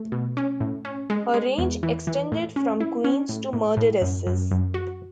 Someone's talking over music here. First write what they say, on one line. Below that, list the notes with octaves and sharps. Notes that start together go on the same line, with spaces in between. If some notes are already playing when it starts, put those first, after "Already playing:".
Her range extended from queens to murderesses.
Already playing: A3
B2
C#4
A2
C#4
G#3
G#3
E2
E3
E3
A2
C#4
E4
C#4
A2
A2
A2
F#2
F#2
F#2
F#4